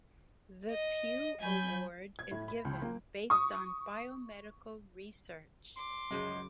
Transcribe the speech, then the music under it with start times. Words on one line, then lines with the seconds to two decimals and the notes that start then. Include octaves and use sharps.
The Pew Award is given based on biomedical research.
0.71 D#5
1.40 F#3 G#5 B5 G6
2.19 G#6
2.31 A2
2.48 B5
2.65 C#2
2.82 A#3
3.30 C#6 D#6
5.77 C6 D6
6.11 F#2 C#3 F3 F#3 G#3